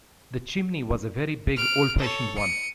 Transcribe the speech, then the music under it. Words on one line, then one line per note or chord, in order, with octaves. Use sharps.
The chimney was a very big old-fashioned one.
F6 D7
A4 C#5
C#7 D#7